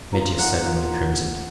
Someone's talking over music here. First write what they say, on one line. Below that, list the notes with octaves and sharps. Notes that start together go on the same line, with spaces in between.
Mitya suddenly crimsoned.
F3 A#5
A#3 D#4 F#5
F3